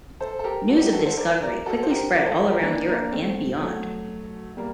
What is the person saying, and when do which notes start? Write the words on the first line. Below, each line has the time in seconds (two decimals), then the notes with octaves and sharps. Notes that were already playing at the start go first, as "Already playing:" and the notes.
News of the discovery quickly spread all around Europe and beyond.
0.20 A4 C5
0.39 A4
0.44 G4 A#4
0.69 F#4 A4
0.81 D#4 G4
0.93 F#4 A4
1.06 A4 C5
1.17 A#4 D5
1.42 A#4 D5
1.66 F#4 A4
1.83 C5
1.90 G4 A#4
2.15 A#4 D5
2.26 A4 C5
2.39 G4 A#4
2.50 G4 A#4
2.63 A#3 D4
2.80 D#4
2.87 A#3 D4
3.12 A3 C4
3.60 F#3 A3
4.57 G3 A#3